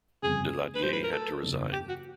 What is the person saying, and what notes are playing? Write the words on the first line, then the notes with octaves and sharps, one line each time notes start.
Daladier had to resign.
G1 F2 C#3 G#4
B4
A2 F#3 A3 D4 F4 C5
B4
A#4
A4
F#1 E2 C#3
G4
F#4